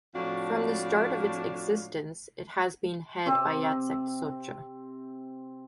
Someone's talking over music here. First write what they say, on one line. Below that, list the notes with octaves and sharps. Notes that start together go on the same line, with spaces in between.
From the start of its existence it has been head by Jacek Socha.
F2 A2 D4 F#4 F5
C3 C4